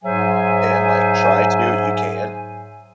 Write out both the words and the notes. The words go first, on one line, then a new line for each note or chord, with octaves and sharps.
and, like, try to, you can,
G#2 F#3 G#4 C5 E5 G#5